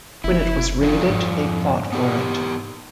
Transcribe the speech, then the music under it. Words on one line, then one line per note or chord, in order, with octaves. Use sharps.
When it was raided, they fought for it.
F#1 E4
F2 F4 D5
G#2
B3 D#4 G4